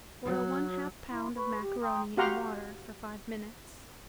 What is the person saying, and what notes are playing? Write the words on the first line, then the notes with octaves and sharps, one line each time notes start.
Boil one-half pound of macaroni in water for five minutes.
F#3
E4 C6
B4 B5 C#6
G4
G5 A#5 C6 D#6
F#4 G4 F5 F#5 A#5 C6